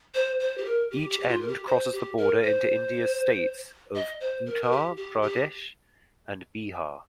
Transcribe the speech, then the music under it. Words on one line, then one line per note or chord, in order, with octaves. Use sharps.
Each end crosses the border into India's states of Uttar Pradesh and Bihar.
C5
C5
G4
A#4
G4
G4
G4
F4
A#4
G4
C5
G4
A#4
C5
D#5
C5
A#4
A#4
G4
G4
G4